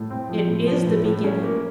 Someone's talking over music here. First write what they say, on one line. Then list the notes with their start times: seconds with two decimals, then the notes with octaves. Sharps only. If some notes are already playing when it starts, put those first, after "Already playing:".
It is the beginning!
Already playing: A2
0.10 C4
0.29 F3
0.48 A2
0.67 F3
0.86 A2
1.05 A2
1.24 C#4
1.43 A#3